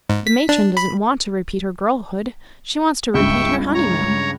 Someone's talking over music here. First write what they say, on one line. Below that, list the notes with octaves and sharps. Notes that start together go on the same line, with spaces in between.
The matron doesn't want to repeat her girlhood--she wants to repeat her honeymoon.
G#2
B6
D4
B5
C#2 G2 E5 G5 C#6
C#5 A#5